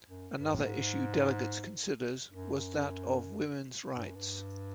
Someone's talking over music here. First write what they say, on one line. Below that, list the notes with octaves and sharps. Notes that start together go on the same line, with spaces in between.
Another issue delegates considered was that of women's rights.
F#2
G2
A2
G#2
F#2
G2
F#2
G2